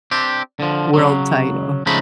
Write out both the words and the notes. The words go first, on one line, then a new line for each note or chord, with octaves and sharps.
world title.
C4 D4 G4
D3 F3
C#3 F#3
C#3 F3 G#3 A3 D#4 B5